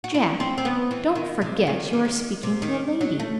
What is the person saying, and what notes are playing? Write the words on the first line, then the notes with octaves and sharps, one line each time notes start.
"Jack! don't forget you are speaking to a lady."
F#4
E4
C4
C4
B3
E3
D#3
C3
D#3
E3
D#3
C3
D#3
F#3
A3